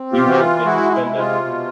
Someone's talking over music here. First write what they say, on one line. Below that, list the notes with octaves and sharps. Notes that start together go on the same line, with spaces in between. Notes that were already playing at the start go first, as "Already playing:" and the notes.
You won't get to spend it.
Already playing: C4
F4 G4
E3 F#4
F4
G#3 E4 F#4
E4
C3
F4
B2